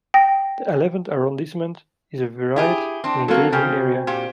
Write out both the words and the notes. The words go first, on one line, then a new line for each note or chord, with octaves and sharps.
The eleventh arrondissement is a varied and engaging area.
G5 A#6
E4 G4 G#4
C4 D4
F#3 A#3 C4 F#4 A4
C#3 G5 G#5
A#2 G4